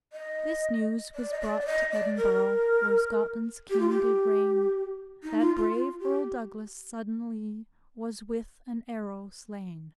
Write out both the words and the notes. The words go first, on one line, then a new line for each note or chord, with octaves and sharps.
This newes was brought to Eddenborrow, Where Scotlands king did raigne, That brave Erle Douglas suddenlye Was with an arrow slaine.
D#5
D5
D#5
D5
D5
D#5
D5
A#4
G4
F4
G4
D#4
F4
F4
F4
G4